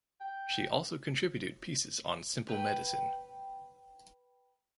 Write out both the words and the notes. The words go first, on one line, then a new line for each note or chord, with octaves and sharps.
She also contributed pieces on simple medicine.
G5
B4 G5